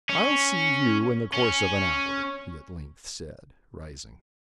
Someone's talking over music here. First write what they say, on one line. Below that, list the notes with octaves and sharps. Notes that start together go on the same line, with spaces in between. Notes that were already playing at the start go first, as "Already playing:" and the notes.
"I'll see you in the course of an hour," he at length said, rising.
C#4
C#4